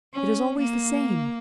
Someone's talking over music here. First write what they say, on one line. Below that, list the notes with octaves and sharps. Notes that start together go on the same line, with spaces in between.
It is always the same.
C#4
A#3